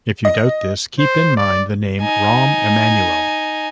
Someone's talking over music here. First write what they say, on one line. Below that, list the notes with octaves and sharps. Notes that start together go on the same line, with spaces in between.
If you doubt this, keep in mind the name Rahm Emanuel.
D#5
C5
D5
D#4 G#5